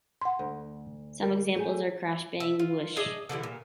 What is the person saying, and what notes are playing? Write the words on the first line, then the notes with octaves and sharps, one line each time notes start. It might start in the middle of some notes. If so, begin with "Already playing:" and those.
Some examples are crash, bang, whoosh.
F#5 C6
D2
A#4
A3 G4 G#4
E5
F4
D4 G#4 D#5 E5
D3 E3 G3 E4
A#2